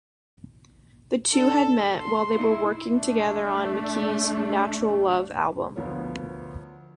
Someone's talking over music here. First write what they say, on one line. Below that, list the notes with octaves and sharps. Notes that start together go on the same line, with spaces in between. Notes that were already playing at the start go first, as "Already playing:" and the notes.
The two had met while they were working together on McKee's "Natural Love" album.
D4 A4
C6
E4
A3 D4
D2 F3 B3 A#4 C#5